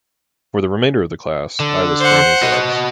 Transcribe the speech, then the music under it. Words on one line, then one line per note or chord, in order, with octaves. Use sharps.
For the remainder of the class, I was Franny’s legs.
D3
C5 F#5
F#4 D#5